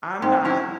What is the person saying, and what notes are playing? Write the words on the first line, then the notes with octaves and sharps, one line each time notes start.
I'm not
G#2 C4
F#3 C#4 E4